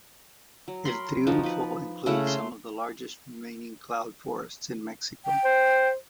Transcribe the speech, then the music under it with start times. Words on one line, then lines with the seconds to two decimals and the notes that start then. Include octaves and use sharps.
El Triunfo includes some of the largest remaining cloud forests in Mexico.
0.68 F#3
0.85 A#4 B5 C6
1.27 F3 D#4 F#4
1.43 F3 B4
2.06 C#3 A3 E4 F#5
2.27 C6
5.25 G5
5.44 C5